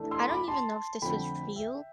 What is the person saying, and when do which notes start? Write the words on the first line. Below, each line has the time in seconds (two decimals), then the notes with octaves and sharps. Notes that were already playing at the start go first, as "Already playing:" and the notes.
I don't even know if this was real,
Already playing: E3 A3 D4
0.11 C6 E6
0.29 B5 D6
0.48 A5 C6
1.02 F2 D3 F3 A3 C4 G5 B5
1.56 E5 G5